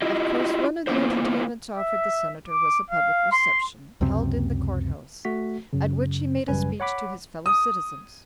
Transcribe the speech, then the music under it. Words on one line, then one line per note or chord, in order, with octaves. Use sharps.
Of course one of the entertainments offered the Senator was a public reception, held in the court house, at which he made a speech to his fellow citizens.
E4 F4 G4 D#5
A#3 B3 E4 F4 C5
E5
D6
F5
C6
C#2 F#2 C3 C4
A3 F#4 B6
F#2 C#3
A1 F#2 C#3 G3 B4 G#5
C#5 F#5 B5 D6 B6
D#6